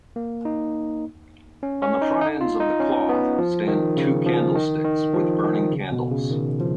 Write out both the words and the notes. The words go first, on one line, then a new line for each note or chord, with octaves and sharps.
On the front ends of the cloth stand two candlesticks with burning candles.
A#3
D#4
C#4
C#4
D#4
D#4
F4
D#4
C#4
B3
F3
D#3
C#3
F3
D#3
D#3
F3
D#3
C#3
B2
C#3
D#3
F3